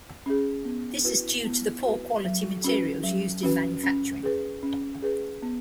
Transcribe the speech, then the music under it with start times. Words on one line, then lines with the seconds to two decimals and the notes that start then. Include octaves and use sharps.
This is due to the poor quality materials used in manufacturing.
0.26 C#4 G#4
0.65 B3
1.05 F#4 B4
1.45 B3
1.85 F#4 B4
2.25 F#3
2.64 C#4 F#4 B4
3.04 F#3
3.43 C#4 F#4 B4
3.84 C#4
4.23 G#4 B4
4.63 C#4
5.02 G#4 B4
5.42 B3